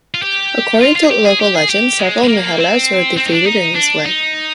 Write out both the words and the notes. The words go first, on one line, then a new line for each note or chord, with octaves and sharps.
According to local legend, seven mehellas were defeated in this way.
F4
G4
F4
F4
G#4
G4
G#4
G4
G#4
G4
G#3
G#3
A#3
C4
C4
D#4
D4
D#4
D4
D#4